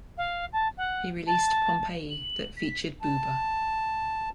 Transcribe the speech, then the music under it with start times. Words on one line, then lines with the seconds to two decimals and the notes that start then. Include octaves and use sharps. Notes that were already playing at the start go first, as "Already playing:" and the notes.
He released "Pompeii" that featured Booba.
0.17 F5
0.52 A5
0.77 F#5
1.27 A5
2.10 F#7
2.57 B6
3.02 A5